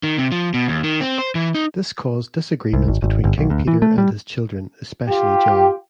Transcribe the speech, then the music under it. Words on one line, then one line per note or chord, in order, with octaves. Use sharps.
This caused disagreements between King Peter and his children especially John.
D#3
C3
F3
B2
D#2
D#3
C4
C5
E3
D#4
C2
G#1
G#1
G1
B1
D2
E3
A3
G3
F4 G4